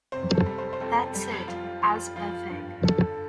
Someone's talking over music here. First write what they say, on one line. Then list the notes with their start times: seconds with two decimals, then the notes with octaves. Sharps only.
That is, as per Fig.
0.12 C3 C5
0.35 A4
0.46 G3
0.58 C5
0.73 C5
0.80 F2 A4
1.14 G3 G4
1.48 F3 F4
1.82 F3 F4
2.16 F3 F4
2.50 G2
2.85 D3 A4